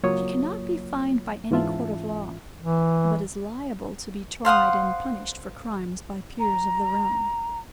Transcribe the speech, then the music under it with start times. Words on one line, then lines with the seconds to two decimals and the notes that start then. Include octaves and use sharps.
She cannot be fined by any court of law; but is liable to be tried and punished for crimes by peers of the realm.
0.03 C#2 F#3 A#3 F4 C#5 D#6
1.51 G#2 E3 C#4 F4 E5 A5
2.61 E3
4.45 C5 F5 F#5 D#6
6.39 A#5